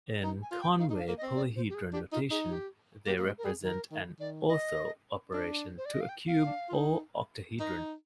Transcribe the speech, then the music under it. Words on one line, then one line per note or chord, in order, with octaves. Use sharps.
In Conway polyhedron notation, they represent an "ortho" operation to a cube or octahedron.
D#4 A#5
G#5
F4
G5
D#4 F5
D#4
D4
F5
A#3
D#5
C4
D5
C5
G4
G#4
D4 G4
D#4 F4
D#4 G#4
G4
A#3 G4
A#3
G#3 G4
A#4
G3 G#4
D#3 A#4
D#3
D#3 D5
D#5
D4
C5
D5
D#5
F5
G5
F5
D4
F4
D#4
D#4 D#5